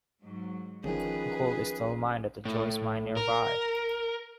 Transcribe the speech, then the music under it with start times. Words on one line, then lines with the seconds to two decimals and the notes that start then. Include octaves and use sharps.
Gold is still mined at the Joyce Mine nearby.
0.22 G#2 F#3
0.84 G1 D#3 F3 C#4 G#4 B4
2.45 A2
3.17 A#4